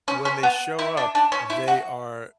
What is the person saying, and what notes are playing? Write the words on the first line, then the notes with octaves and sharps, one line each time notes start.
w when they show up, they are
C#4
C#4
B3
E4
D4
D4
C#4
E4
F#4